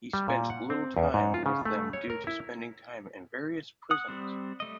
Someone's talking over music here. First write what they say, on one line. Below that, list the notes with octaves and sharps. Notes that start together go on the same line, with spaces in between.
He spent little time with them due to spending time in various prisons.
G3
A#2
F#5
C4
E2
G#2
F4
C#3
A3
C#5
A#4
E4
F#5 D#6
G3 C4
G3 A3 D#5